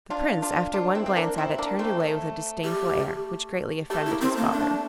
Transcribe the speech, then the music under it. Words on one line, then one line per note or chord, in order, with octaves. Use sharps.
The Prince after one glance at it turned away with a disdainful air, which greatly offended his father.
D4 F4
D4 F4
D4 F4
C4 E4
C4
A#3 D4
C4 E4
A#3 D4
A3 C4
A3
G4
A3 G4
E4
A#3
C4
A3
A#3
D4